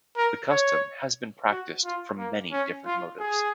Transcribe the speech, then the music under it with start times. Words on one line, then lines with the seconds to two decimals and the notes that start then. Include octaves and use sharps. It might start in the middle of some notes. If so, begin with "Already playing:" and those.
The custom has been practiced from many different motives.
0.17 A#4
0.49 C#5
1.51 F#4
1.84 F4
2.18 A#3
2.52 C#4
2.85 F4
3.19 G#4